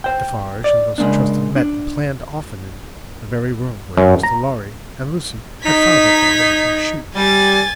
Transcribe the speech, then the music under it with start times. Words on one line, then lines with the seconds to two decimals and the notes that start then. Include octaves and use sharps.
Defarge and those he trusted met and planned often in the very room where Mr. Lorry and Lucie had found her father making shoes.
0.04 C5 G5
0.64 D5
0.98 C#3 G#3 A#3 D4
1.56 D4
3.97 F#2
4.23 A#5
5.65 D#4 G#6 B6
7.15 G3 G#5 A6